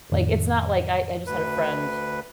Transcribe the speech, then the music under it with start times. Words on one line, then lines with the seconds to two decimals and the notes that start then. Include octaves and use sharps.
Like, it's not, like I I just had a friend,
0.12 F2 A2 D#3
1.27 D2 B4